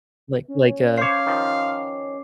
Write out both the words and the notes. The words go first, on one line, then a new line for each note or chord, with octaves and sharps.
Like, like, uh
C#4
C5 C#5 F5 D6 C7
D#3 F3